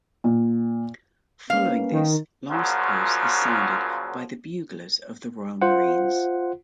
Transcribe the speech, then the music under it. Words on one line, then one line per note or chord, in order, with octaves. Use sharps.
Following this, "Last Post" is sounded by the buglers of the Royal Marines.
A#2
A#3 C#4 B4 F5
D#3
F#2 A#2 C#3 F3 F#3
F4 C5 F#5